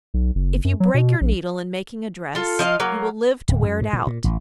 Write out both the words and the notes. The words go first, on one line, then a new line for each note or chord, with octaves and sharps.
If you break your needle in making a dress, you will live to wear it out.
B1
F#1
F#2
F#3
B2
A#1
F4 A4
F3 D#5 F5
F#3 A#3
D1
F#2
G#2
A#2
A#2
A1